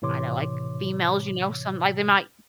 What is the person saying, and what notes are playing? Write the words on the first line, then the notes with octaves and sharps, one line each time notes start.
I know, like, females, you know, some like, they might
A2 C3 E3 C#5 C6 D6